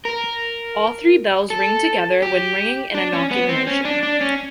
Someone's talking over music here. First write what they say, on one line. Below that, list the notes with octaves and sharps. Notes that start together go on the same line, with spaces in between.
All three bells ring together when ringing in a knocking motion.
A#4
A4
G4
D4
C#4
B3
C4
C#4
D4
D4
C#4